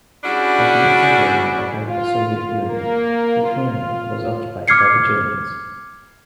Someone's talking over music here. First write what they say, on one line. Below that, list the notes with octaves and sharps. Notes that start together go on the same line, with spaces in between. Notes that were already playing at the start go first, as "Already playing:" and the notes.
As Nazi Germany attacked the Soviet Union, Lithuania was occupied by the Germans.
G3 C#4 D4 E4 F#4 G#4
F4
A#3
F4
D6 F6 G#6 C7 C#7